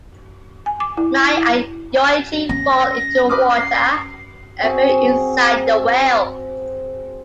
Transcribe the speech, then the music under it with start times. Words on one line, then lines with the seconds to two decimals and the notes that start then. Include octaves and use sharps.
Mai and Yoichi fall into the water, appearing inside the well.
0.66 G#5
0.80 D6
0.97 E4
1.37 E4
2.49 C#4 A#6
3.29 B4 D6 D#6 F6
3.56 C7
4.63 C4 F#4 G#4